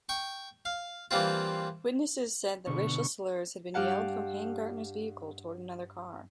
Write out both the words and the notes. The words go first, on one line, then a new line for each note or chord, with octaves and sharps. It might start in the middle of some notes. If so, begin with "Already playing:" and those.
Witnesses said that racial slurs had been yelled from Hangartner's vehicle toward another car.
G5 C#6
F5
E3 G3 A#3 C4 F4
B2 D3 C#6
G2 G4 F5 F#5 A5